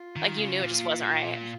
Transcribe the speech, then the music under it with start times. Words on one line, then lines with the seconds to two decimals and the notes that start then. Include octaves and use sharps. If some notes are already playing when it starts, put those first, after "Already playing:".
like you knew it just wasn't right.
Already playing: F4
0.16 D#3
0.38 C#3
0.61 A#2